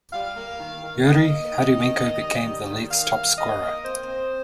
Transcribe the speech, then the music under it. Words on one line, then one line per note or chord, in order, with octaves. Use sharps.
Yuriy Hudymenko became the league's top scorer.
G3 F5
A#3
D#3
D#3
A#3 D#5
A#3
D#3
D#3
D#3
G3
G3
D#3
A#3 F5
D#3
A#3 D#5
A#3
C4 C5
C4